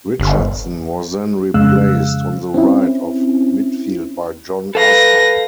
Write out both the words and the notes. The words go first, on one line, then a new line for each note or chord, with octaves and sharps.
Richardson was then replaced on the right of midfield by John Oster.
G1
F2 C#3 G#3 F5 E6 F#6
C4 C#4 E4
A4 B4 F5 A#6